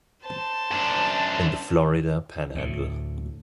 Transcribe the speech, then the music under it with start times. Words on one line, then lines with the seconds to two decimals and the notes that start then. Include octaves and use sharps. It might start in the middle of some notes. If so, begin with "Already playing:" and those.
In the Florida panhandle.
0.23 C5 A5
0.71 F#2 D4
2.55 D2 A2